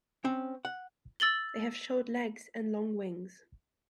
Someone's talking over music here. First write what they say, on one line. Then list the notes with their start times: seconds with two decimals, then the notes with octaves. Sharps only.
They have short legs and long wings.
0.24 C4 C#4
0.65 F#5
1.20 E6 A6 F#7 G7